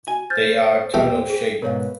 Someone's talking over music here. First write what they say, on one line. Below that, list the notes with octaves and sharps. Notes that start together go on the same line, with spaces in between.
They are tunnel-shaped.
F#4 G#5
C5 F6 G6 A6
E2 F3 A3 G4 C5
G#4
G#2 B2 A#4 B4 C#5 F5